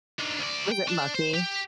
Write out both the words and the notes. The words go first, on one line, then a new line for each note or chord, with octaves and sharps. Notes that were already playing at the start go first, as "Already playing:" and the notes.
Was it mucky?
D#3 D4
D2 D5
G5
D4
C5
G4